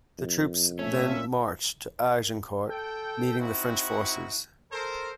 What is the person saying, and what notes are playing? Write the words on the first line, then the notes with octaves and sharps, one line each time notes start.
The troops then march to Agincourt, meeting the French forces.
F2
A#2 A3 C#4 E5
A4 G5
C4 D#4 E4 F#4
A4 A#4 C5